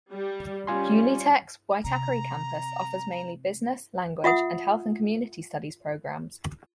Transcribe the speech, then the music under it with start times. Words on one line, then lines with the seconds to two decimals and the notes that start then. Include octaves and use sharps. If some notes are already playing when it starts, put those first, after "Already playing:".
Unitec's Waitakere campus offers mainly business, language, and health and community studies programs.
0.12 G3
0.67 G3 C#4 F4 G#5 C6
1.84 C3 A#5
4.24 F4 E5 F#5 D#6